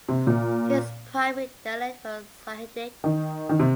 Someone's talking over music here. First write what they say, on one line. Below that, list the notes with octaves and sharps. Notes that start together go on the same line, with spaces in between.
His primary dialect was Sahidic.
C3
A#2
D#3
D#3
C3